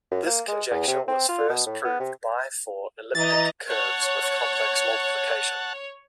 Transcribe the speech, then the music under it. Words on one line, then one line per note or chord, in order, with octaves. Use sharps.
This conjecture was first proved by for elliptic curves with complex multiplication.
F#2
A#3
G#3
E2
C3
C4
F4
B2
A2
B3
C3
E3 D#5 A#5 A6
C#5 F#5 A5